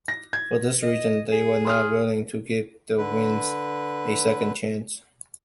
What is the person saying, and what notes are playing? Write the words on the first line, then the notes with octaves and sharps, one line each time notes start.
For this reason, they were not willing to give the Winds a second chance.
A#6
G#6
D#5
G#4
C6 D#6 F6
D3 B4